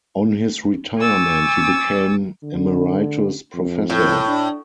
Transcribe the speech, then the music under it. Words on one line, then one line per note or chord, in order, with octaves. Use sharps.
On his retirement, he became Emeritus Professor.
G#5 C#6 D6 E6 A6
D3
F2
A2
D4